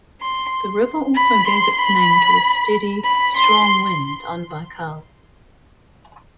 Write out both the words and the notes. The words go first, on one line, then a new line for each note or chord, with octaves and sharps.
The river also gave its name to a steady, strong wind on Baikal.
C6
B5
C6
B5
B5
C6